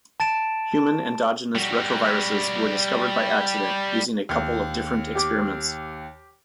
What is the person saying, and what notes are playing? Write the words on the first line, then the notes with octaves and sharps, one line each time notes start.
Human endogenous retroviruses were discovered by accident using a couple of different experiments.
A5 A6 D7 E7
G3 F#4
D#2
G4 D6